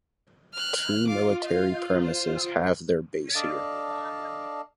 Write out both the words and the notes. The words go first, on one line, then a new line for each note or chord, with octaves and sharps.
Two military premises have their base here.
F6 F#6
F4 F5 D6
F5
C5
D4 A4 D5 D#5 F5 A5